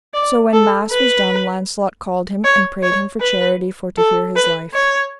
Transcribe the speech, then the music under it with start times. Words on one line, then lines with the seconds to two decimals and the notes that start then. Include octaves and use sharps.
So when mass was done Launcelot called him, and prayed him for charity for to hear his life.
0.14 D5
0.53 A4
0.91 B4
2.44 C#5
2.83 C#5
3.21 B4
3.97 A4
4.36 B4
4.74 C#5